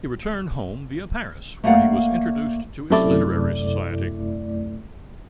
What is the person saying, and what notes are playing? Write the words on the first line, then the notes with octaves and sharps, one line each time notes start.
He returned home via Paris where he was introduced to its literary society.
A3 A#3 D5 F5 F#5
F#2 C3 A3 E4 D5